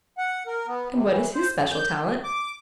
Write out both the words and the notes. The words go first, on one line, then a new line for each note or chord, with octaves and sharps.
"And what is his especial talent?"
F#5
A#4
B3
C3
E3
C5
F#2
G6
D2
D6